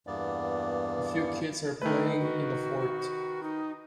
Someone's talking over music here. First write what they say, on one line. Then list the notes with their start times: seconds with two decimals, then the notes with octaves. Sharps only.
A few kids are playing in a fort.
0.07 E2 G2 A#3 B3 D5
1.81 D#3 A3 B4
2.20 F#4
3.43 D#4